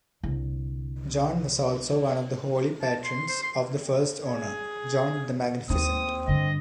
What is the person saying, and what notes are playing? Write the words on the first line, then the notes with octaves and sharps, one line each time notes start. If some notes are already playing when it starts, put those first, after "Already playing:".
John was also one of the holy patrons of the first owner, John the Magnificent.
C2 D3
A5
C6
C5
C6
G#4
D#2 C4 D#4 D#6
G2 D3 D#5